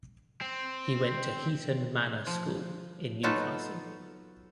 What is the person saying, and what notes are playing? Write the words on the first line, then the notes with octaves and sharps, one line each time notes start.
He went to Heaton Manor School in Newcastle.
C4
F3
F#3 B3 D#4 F4 F#4 A4